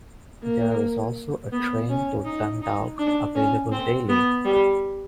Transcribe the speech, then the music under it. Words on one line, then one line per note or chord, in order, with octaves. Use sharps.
There is also a train to Dundalk available daily.
A#3
B3
C#4
D#4
D#4
D4
C#4
C4
B3
G3